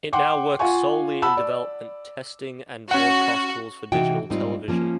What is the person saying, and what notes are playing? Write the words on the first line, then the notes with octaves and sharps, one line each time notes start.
It now works solely in development, testing, and broadcast tools for digital television.
F#5 G5 C6 D6
F4 F5 F#5 G#5 C#6
F#5 A5 B5 E6
D5
C#4 F#4 F#5
C3 E3 D#4 F#4 G5
G#2 G3 C4 D#4 F4
F3 A#3 C#4